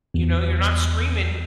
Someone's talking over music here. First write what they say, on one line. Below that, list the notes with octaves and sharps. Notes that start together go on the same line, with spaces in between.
you know, you're not streaming
E2